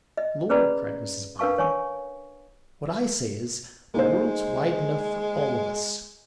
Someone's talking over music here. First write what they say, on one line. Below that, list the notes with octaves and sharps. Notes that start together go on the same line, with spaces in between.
'Lor!' cried Mrs Boffin. 'What I say is, the world's wide enough for all of us!'
D#5
C#4 G#4 B4 D5 A#5 B5
D4 A#4 B4 F5 A5 C#6
C#5 G#5 C#6
G#3 A#3 D#4 C5